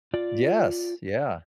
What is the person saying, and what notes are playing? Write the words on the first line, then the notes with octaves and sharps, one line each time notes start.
yes. Yeah.
F4 D5